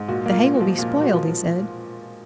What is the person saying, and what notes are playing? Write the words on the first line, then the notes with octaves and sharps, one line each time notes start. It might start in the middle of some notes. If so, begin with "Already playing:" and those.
"The hay will be spoiled," he said.
Already playing: G#2
A#2 F#4
A#3
F4
A#2
F#4
F3
A#2 F4
A#2
F#4
F3